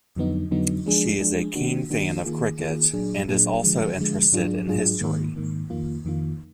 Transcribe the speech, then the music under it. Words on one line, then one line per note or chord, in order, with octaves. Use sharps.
She is a keen fan of cricket, and is also interested in history.
F2 D3 F#3 B3 D#4
F2 D3 F#3 B3 D#4
F3 G#3 D4 G#4
F3 G#3 D4 G#4
D#3 A#3 D4 F#4
D#3 A#3 D4 F#4
D#3 A#3 F4 G#4
D#3 A#3 F4 G#4
A#2 F#3 D4 G#4
A#2 F#3 D4 G#4
D3 F3 G#3
D3 F3 G#3
G#2 F#3 D4 F4 G#4
G#2 F#3 D4 F4 G#4
G#2 D#3 A#3
G#2 D#3 A#3
F2 D#3 A#3 F4
F2 D#3 A#3 F4